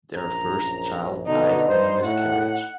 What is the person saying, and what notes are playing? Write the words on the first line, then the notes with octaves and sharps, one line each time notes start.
Their first child died in a miscarriage.
A#1 F#2 A#5
B2 D3 D#4
G2 D#4 C5
A2 F#5